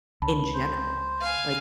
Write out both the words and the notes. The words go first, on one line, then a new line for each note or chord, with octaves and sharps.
in general. Like,
C#2 A5 B5
C5
F5 G#5